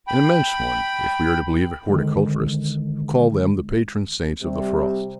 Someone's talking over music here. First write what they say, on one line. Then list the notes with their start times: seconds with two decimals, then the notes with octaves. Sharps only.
"An immense one, if we are to believe horticulturists, who call them the patron saints of the frost."
0.08 G5 B5
1.89 D3 D#3 G#3
4.41 C3 G3